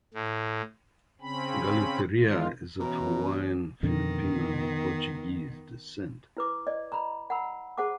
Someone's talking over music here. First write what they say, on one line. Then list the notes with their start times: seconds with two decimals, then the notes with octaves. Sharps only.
Galuteria is of Hawaiian, Filipino, and Portuguese descent.
0.14 A2
1.21 C#3 C4 C#4 B5
2.20 D#3 G#3 F4
2.80 B2 E3 C#4 A#5
3.83 F2 B2 D3 D#3 B3
6.37 E4 B4 D6
6.67 D5 D#5
6.92 A#5 B5
7.30 F#5 A#5 B5 E6
7.77 G#4 C5 F#5 A5 D6